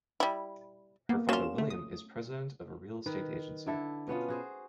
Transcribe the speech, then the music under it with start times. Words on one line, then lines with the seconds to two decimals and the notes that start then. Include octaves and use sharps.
Her father William is president of a real estate agency.
0.20 G3 E4
1.09 A#3 B3
1.29 A#3 C#4 F4 F#4 E7
1.58 A3
1.70 D#6
3.06 D#3 B4
3.66 D3 E4 A4 E5
4.07 B2 B3 C#4 F4
4.28 F#4 G#4 C5